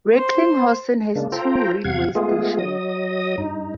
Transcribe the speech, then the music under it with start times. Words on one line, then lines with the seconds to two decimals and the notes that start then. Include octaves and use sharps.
Recklinghausen has two railway stations.
0.14 C5
1.15 C#3 G#3 A#3 D4
1.32 F4 A4 C5 G5 A#5
1.84 E2 C3 F5 F#5 G#6
2.15 G#3 A3 B3 F4 G#4
2.59 F#3 D#5 D#6
3.38 G2 D#4